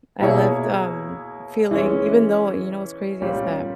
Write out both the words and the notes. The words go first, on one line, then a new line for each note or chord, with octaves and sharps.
I left, um, feeling even though you know what's crazy? Is that
B2 A#3 E4 G#4 C#5
E3 G#3 C#4
A#2 G3 C#4